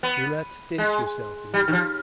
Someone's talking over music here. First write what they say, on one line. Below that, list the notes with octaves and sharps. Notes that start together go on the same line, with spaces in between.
Do not stint yourself in these.
B3
G#3
G3
D#3
F3